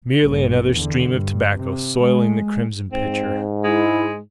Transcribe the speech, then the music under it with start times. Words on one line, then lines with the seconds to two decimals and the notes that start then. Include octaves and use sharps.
Merely another stream of tobacco soiling the crimson pitcher.
0.22 A#1 G2
0.71 E2 D3
1.10 G2
1.55 C3
2.02 G#3
2.92 G#2 C4
3.64 G#3 E4